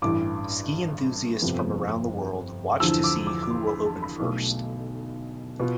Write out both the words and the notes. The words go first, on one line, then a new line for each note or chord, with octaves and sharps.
Ski enthusiast from around the world watch to see who will open first.
A1 G2 E3 D6
G1 F2 C3 F3 B3
E2 D3 F3 E6
D6
D6
D6
C6
B5
A5
B5
B1 B2 A3
B2 B3 F4